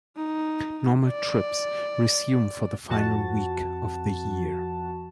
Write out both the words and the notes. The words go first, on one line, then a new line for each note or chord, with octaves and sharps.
Normal trips resume for the final week of the year.
D#4
D5
F2 F#4 A5